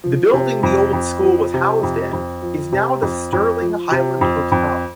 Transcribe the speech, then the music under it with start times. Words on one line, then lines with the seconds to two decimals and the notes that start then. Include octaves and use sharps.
The building the old school was housed in is now the Stirling Highland Hotel.
0.04 F3
0.33 C3
0.63 F2
0.93 F2
1.23 F3
1.54 C3
1.83 F2
2.13 F2
2.42 F3
2.72 C3
3.02 F2
3.33 F2
3.62 F3
3.91 C3
4.21 F2
4.52 F2